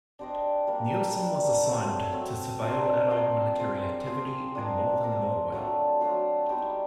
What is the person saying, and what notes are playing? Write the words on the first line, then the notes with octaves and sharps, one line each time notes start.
Nilsen was assigned to surveil allied military activity in northern Norway.
D4 G4 C5 D#5
G3 A#3 D4
G3 A#3 D4
F#3 A3 C4
F#3 A3 C4
D4 F4 A#4 D5
D4 F4 A#4 D5
C4 F4 G#4 C5
C4 F4 G#4 C5
D4 F4 A#4 D#5
D4 F4 A#4 D#5
F#3 A3 D4 F4
F#3 A3 D4 F4
G3 B3 D#4 G4